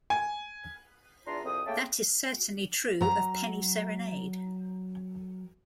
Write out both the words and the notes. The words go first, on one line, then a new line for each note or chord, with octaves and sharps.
That is certainly true of "Penny Serenade".
G#5
E2 D4 F4 A#5 C6
C2 F2 C4 D#6
C#3 A3 A#3 G5 A5
F#3 A#5